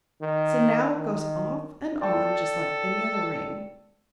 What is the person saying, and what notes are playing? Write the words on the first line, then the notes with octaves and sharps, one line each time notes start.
So now it goes off and on just like any other ring.
D#3
D#3
A4 D5 G5 A5